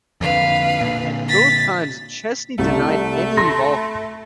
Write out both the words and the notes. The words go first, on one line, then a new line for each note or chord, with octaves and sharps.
At both times, Chesney denied any involvement.
F2 D3 B4 F5
A#2 D3
A6 B6
C2 A3
B5 C6 A#6